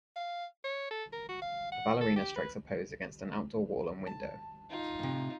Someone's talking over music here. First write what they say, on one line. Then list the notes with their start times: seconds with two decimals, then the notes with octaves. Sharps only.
A ballerina strikes a pose against an outdoor wall and window.
0.16 F5
0.64 C#5
0.91 A4
1.12 A#4
1.29 F#4
1.42 F5
1.72 F#5
2.01 A4
2.16 G4
2.36 B4
4.07 A5
4.70 D#4 F4
4.99 A2 C3